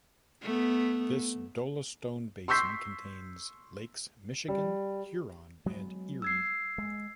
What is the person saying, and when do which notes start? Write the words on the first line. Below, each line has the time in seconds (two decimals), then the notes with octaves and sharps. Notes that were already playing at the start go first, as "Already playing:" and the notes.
This dolostone basin contains Lakes Michigan, Huron, and Erie.
0.42 A3 B3
2.48 C6 C#6 E6 G6 B6 C7
4.48 G3
5.66 F#3 G#3 B3
6.22 E6 G#6 C7
6.78 G#3